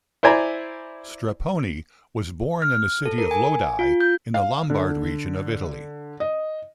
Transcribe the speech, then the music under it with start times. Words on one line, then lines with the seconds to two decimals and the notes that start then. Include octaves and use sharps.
Strepponi was born in the city of Lodi in the Lombard region of Italy.
0.23 E4 C5 D5 G#5 A#5 B5
2.62 F6
3.06 A4
3.18 A#4
3.31 G#5
3.79 F4
4.01 G6
4.34 F5
4.70 D3
6.20 D#5